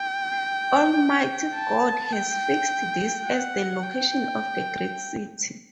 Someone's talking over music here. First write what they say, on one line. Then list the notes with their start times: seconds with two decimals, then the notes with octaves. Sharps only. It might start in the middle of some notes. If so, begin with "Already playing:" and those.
Almighty God has fixed this as the location of a great city.
Already playing: G5
1.56 A5
2.12 G5
3.26 F#5
3.84 G5